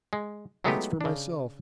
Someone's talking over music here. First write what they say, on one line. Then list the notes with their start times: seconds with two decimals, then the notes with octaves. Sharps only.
That's for myself.
0.13 G#3
0.64 F#3 G#3 A3 B3 D#4 G4
1.01 C#3 D4